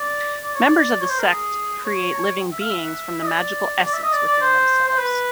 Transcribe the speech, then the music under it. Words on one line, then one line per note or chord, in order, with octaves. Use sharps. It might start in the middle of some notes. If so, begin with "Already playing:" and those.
Members of the sect create living beings from the magical essence within themselves.
Already playing: D5
D5
C#5
D5
C#5
C5
A#4
G#4
C#5
E5
F5
E5
D#5
D5
D5
E5
D#5
D5
D5
C5
C5
B4